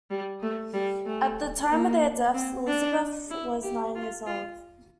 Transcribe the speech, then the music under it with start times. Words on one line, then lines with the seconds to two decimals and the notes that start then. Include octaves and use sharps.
At the time of their deaths, Elizabeth was nine years old.
0.10 G3
0.42 A3
0.73 G3
1.06 A3
1.71 A#3
2.34 C4
2.67 D4
3.30 E4
3.63 G4
3.95 F4
4.26 F4